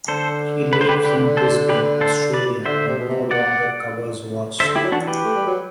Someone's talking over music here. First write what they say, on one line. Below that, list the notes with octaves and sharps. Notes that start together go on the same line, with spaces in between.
He lives in Brisbane, Australia and no longer covers wars.
D3 A4 C5
B4
C5
G4 B4
G4 B4
A4 C5
G4 B4
A4 C5
B4 D5
D3 C5 E5
C3
B2
C3
D5 F#5
D3 C5 E5
E4 G4
F#3
E3 D4 F#4
G4 B4
A3
G3
F#3